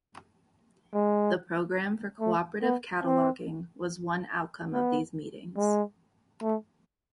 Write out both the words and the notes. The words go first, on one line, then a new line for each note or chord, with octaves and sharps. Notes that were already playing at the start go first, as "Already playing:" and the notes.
The Program for Cooperative Cataloging was one outcome of these meetings.
G#3
A3
B3
C4
B3
G#3
A3